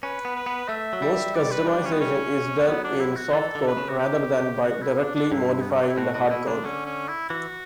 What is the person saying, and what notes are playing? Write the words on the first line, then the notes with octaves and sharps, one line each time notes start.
Most customization is done in "softcode" rather than by directly modifying the hardcode.
C#4 B4
B3
B4
B3
A3 E5
F#3
G3
D5
B4
D4
C#4
B3
C#4
F#3 B3
D4
E4
F#4
E3 A4
D3
A4
B4
C#3
F#4
G4
G4
F#4
E4
D4
D4
G2 E4
B3
C#4
D4
E4
A2 F#4
A2 F#4
B2 E4
C#3 D4
D3 C#4
C#4
E4
E3 F#4